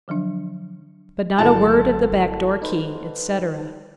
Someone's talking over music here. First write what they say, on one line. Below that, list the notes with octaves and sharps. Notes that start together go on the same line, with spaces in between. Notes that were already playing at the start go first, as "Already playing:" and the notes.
But not a word of the back-door key, etc.'
D3 F3 F#3 D4
G#1 D3 F#3 E4 A5
D#4 B4 C5